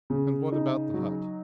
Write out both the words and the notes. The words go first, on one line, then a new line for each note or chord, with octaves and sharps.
"And what about the hut?"
C#3
D#4
F#3